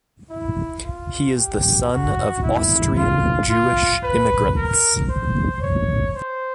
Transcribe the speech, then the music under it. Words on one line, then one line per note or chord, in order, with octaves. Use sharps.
He is the son of Austrian Jewish immigrants.
E4
F4
G4
F#4
E4
F4
F4
B4
A#4
C5
C#5
C5